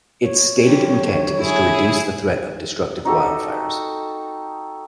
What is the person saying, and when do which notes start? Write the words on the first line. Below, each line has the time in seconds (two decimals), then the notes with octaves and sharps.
Its stated intent is to reduce the threat of destructive wildfires.
0.23 C#5
0.67 D3 F#3 G4
1.41 E4 G#4
3.05 D#4 F#4 G4 A4